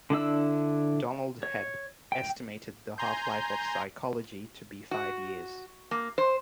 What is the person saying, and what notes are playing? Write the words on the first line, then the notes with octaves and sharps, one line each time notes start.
Donald Hebb estimated the half-life of psychology to be five years.
D3 D4 E4 E6
C#5
G5
G#5 A#5 C6 G6
F#4
A#3
C5